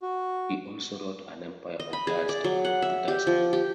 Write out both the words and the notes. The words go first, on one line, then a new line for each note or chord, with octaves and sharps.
He also wrote "An Empire of Dust" about the Dust Bowl.
F#4
D#5
B5
G#4
D5
F#3
F#5
E5
G4
F3
G4